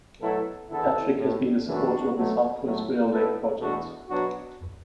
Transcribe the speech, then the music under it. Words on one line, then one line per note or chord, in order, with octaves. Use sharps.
Patrick has been a supporter of the South Coast Rail Link project.
B2 F#3 A3 E4 A4
E2 D3 B3 E4 A4
A2 A3
F#2 E3 A3 D4 F#4
B2 F#3 A3
A2 F#3 A3
B2 B3 E4 A4
E2 B2 A3 D4 F#4
B2 F#3 B3 D4 F#4